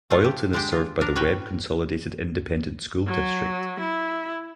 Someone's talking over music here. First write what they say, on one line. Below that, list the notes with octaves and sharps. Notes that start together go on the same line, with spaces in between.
Oilton is served by the Webb Consolidated Independent School District.
A3 F4
G4
D3 G#3 D4 G4
F4
D4 A#4
A2 C#4 F#4 B4 C#5 G5
F#3
E4